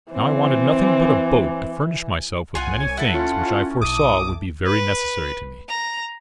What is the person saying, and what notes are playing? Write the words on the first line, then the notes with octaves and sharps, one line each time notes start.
Now I wanted nothing but a boat to furnish myself with many things which I foresaw would be very necessary to me.
E3 C4
C2 F4 F#5 G#5
C#5
E4 A4 F#5
C#4 F4
B1 D6 D#6
B1
B4
A#5